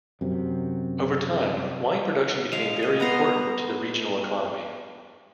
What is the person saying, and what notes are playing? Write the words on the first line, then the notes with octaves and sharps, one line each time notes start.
Over time, wine production became very important to the regional economy.
F#2 C3
G#3 F5
D#5
B3 F#5 A#5 C6